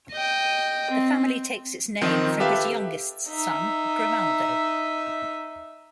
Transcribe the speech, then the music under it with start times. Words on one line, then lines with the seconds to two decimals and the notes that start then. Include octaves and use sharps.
The family takes its name from his youngest son Grimaldo.
0.12 D#5 G5
0.90 C4
2.01 D#3 F3 C4 D#4
2.40 G4 A4 B4 E5 F5
3.27 D#4 E5